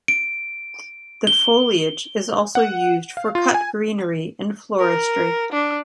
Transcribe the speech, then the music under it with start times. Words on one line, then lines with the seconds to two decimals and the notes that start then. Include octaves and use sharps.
The foliage is also used for cut greenery in floristry.
0.08 D7
1.27 G7
2.55 F#5
3.17 F5
3.35 F4
3.54 G#5
4.79 A#4
5.52 D4